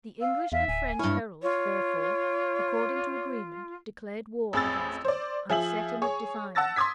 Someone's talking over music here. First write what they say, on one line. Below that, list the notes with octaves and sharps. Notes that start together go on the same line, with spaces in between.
The English and French heralds, therefore, according to agreement, declared war against him, and set him at defiance.
F5 E6
E2 E5 F5
D1 G#5
G2 E4 C#5 F6
F4 C#5
A1 F2 G#4 B5 E6 A6
C5 D5
F3 G#4 E5 F#7
G#4 C#5 C#6
F#5 A5 E6 A6 A#6
C6 D6 D#6 G#6 B6